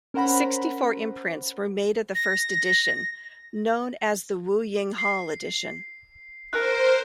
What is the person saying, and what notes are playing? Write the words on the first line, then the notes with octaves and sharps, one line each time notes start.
Sixty-four imprints were made of the first edition, known as the Wu-ying Hall edition.
C#4 A#4 C5 F#5 A#5 B5
A#6
C7
A#4 C5 F#6